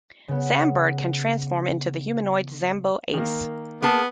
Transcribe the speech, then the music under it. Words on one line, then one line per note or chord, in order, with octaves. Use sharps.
Zambird can transform into the humanoid Zambo Ace.
C#3 B3
D#3 A#3
A#3 B3 G#4 A5